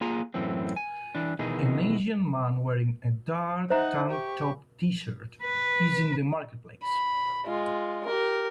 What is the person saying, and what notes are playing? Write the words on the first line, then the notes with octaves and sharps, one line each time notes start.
An Asian man wearing a dark tank top tshirt is in the marketplace.
A#3 F4 G#4 G#5 A#5
F#2 A2 E3 C4
G#5
E3 D4
B2 D#3 E3 D#4 G#4
D#4 C5 E5 F#5 A#5
G4 C#6
B4
B5
G#3 F4
G4 A#4